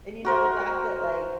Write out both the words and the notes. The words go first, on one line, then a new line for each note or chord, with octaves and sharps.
And you know the fact that, like,
F#4 A#4 C5